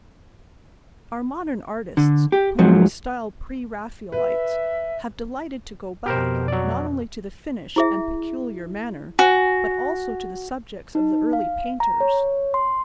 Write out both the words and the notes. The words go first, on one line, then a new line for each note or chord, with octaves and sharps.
Our modern artists, whom we style Pre-Raphaelites, have delighted to go back, not only to the finish and peculiar manner, but also to the subjects of the early painters.
D3
G4
G#2 F3 F#3
B4 E5
F2 B2 G4 A#4 C5
F#3 D5
E4 G#4 E5
F#4 G#5
D#4
F5
A#5
C#5
C6